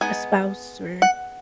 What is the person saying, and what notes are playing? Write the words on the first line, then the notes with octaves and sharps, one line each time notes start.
a spouse or
G#3 B3 D#4 G#5
F#5